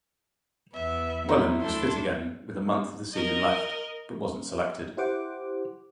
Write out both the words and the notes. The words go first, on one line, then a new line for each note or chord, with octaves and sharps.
Whelan was fit again with a month of the season left, but wasn't selected.
E2 B3 E5
D#4 E4 F#4 C5
D2 D4 A4 C6
A#4 D#5
E4 G4 C5 F#5 D6